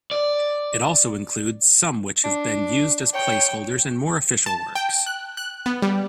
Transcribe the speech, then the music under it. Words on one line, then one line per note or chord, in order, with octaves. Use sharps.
It also includes some which have been used as placeholders in more official works.
D5
D4
C#5 G5
A5
G5
F#6
F#6
B3
G3